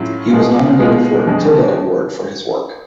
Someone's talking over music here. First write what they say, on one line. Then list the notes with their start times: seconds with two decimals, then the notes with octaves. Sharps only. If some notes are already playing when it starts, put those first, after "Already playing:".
He was nominated for a Matilda Award for his work.
Already playing: A2 F#3 C#4 F4
0.31 B2 G#3 B3 F4
0.79 B2 G#3 B3 F4
1.27 F2 D3 G#3